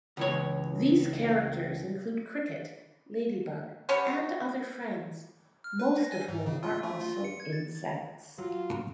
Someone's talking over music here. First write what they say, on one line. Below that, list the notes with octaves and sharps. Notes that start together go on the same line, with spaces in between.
These characters include Cricket, Ladybug, and other friends, most of whom are also insects.
C#2 E3 C#5
B3 C#4 G4 C#5
F6
B4
A#6
G#5
G#2
C#3
F4
A3
F4
C#7
G#6
A6
F#3 F4